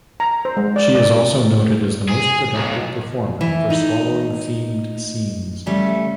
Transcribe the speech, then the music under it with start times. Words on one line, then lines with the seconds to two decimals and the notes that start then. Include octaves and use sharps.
She is also noted as the most productive performer for swallowing themed scenes.
0.20 A#5
0.45 C5
0.57 G#3
0.76 D5
0.95 D5
2.08 G#4
2.55 B1
3.41 E3
3.70 D#4
5.66 C#3 G3 A3